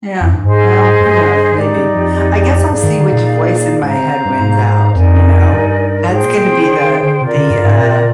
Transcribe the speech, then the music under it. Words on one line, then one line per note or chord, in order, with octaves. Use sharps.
Yeah. Well, who knows? Maybe. I guess I'll see which voice in my head wins out, you know? That's gonna be the the, uh
F2
G2
G#2 G#4 C5 D#5 G#5
G2
G#2 D#4 G4 D5
G2
F2
G2 D#4 G#4 D5 F5
D#3
D3
A#2
G#2 C5 F5 A#5
C3
G2
G#2
F2 D#4 A#4 D5 G#5
G2
G#2 G#4 C5 G5
A#2
A#2
C3
D3
D#3
D3
C3 F4 A#4 D5
D3
G2
G#2
A#2